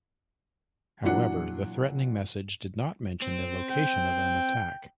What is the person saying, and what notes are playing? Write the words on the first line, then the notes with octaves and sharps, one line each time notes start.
However, the threatening message did not mention the location of an attack.
A#2 E3 F#3 D4 F#5 C#7
C4
G5